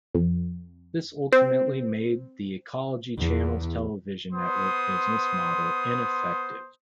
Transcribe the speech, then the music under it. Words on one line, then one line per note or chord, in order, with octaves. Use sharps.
This ultimately made The Ecology Channel's television network business model ineffective.
F2
C4
E2
B3 C5 C6 D#6